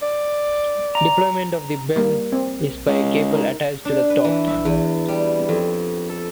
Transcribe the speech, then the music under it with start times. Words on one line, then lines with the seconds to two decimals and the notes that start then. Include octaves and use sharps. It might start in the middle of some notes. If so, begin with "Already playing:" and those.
Deployment of the bell is by a cable attached to the top.
0.02 D5
0.95 A#5
1.96 G3 A#3
2.32 C4
2.88 C#2
3.31 D#4 A#4
3.85 D4
4.10 B4
4.24 E3
4.47 E5
4.65 E2
5.08 G3
5.49 F2
6.09 A4